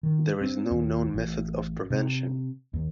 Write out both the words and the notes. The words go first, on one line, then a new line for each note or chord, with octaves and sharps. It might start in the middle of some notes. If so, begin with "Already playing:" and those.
There is no known method of prevention.
D#3
C4
D#2
A1
C3
D#2